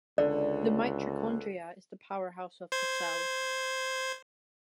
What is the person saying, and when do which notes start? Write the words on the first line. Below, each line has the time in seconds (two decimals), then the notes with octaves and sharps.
The mitochondria is the powerhouse of the cell.
0.18 C#2 D3 D5
2.72 C5 G#6